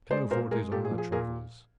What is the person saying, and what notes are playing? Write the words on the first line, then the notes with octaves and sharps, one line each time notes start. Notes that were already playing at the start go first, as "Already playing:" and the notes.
Pianofortes on Their Travels.
G#3 C5 D5
A#2 A#4 C5
G#3 G#4 A#4
A#2 G4 A4
G#4
F3
G#4
A#2 G#4 A#4